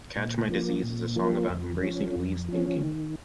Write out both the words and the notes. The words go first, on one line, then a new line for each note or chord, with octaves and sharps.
"Catch My Disease" is a song about embracing Lee's thinking.
A#2
F3 A#3
A#2
F3 A#3
F2
F3 C#4
F2
F3 C#4
D#3